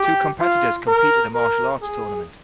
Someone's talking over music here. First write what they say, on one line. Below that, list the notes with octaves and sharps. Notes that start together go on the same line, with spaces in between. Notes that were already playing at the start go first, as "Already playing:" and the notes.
Two competitors compete at a martial arts tournament.
Already playing: G4
F4
A#4
A#4
G#4